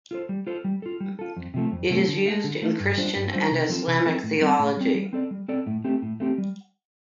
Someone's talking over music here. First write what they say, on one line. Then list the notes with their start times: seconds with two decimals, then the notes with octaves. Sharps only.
It is used in Christian and Islamic theology.
0.11 F4 A4 C5
0.29 G3
0.47 F4 A4 C5
0.64 G3
0.82 F4 A4
1.00 G3
1.19 F4 A4
1.36 F2
1.54 C3 F3 A3
1.72 F2
1.90 C3 F3 A3
2.08 D3
2.26 A3 F4
2.31 A4
2.44 D3
2.62 A3 F4 A4
2.80 G2
2.97 G3 D4 F4 C5
3.16 G2
3.33 G3 D4 F4 C5
3.51 C3
3.69 F3 C4 F4 A4
3.87 C3
4.05 F3 C4 F4 A4
4.23 A2
4.41 G3 C4
4.59 A2
4.77 G3 C4
4.95 G3
5.13 C4 A4 D5
5.31 G3
5.48 C4 A4 D5
5.67 A2
5.84 A3 C4 G4
6.02 A2
6.20 A3 C4 G4
6.38 G3